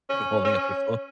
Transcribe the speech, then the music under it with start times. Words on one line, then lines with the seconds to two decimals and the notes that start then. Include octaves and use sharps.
For holding up your phone.
0.10 C#4
0.45 C#4